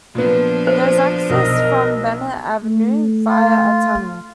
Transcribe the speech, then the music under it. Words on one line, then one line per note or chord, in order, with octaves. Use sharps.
There is access from Bennett Avenue via a tunnel.
A#2 F3 B3 D4
C5
B1 A#4 D#5
A3
F4